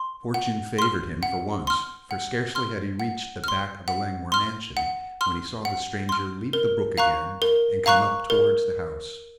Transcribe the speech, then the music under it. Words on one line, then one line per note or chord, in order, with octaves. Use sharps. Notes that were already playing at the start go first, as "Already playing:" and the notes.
Fortune favored him for once, for scarcely had he reached the back of the Langmore mansion when he saw the stranger leap the brook again and come up towards the house.
Already playing: C6
F#5
C6 F6
F#5
C6 F6
F#5
C6 F6
F#5
C6 F6
F#5
C6 F6
F#5
C6 F6
F#5
C6 F6
A#4
F5 A#5 C#6 F#6
A#4
F5 A#5 C#6 F#6
A#4